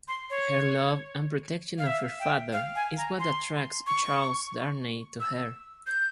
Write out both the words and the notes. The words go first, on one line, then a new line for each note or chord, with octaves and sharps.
Her love and protection of her father is what attracts Charles Darnay to her.
C6
C#5
F5
E5
G5
F5
G#5
A#5
C6
C#6
E6
G6